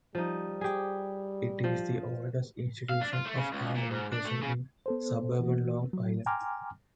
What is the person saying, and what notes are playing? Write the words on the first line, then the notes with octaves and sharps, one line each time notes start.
It is the oldest institution of higher education in suburban Long Island.
F3 G3 D#4
G4 G#4
F3
F5
D4
F4
A3
C#3
C#2
A#2
G#2
D4
A3
C#3
B3 A4 C5
E3 A#3 F#4
F#3
G5 G#5 A#5 C6 D6 F6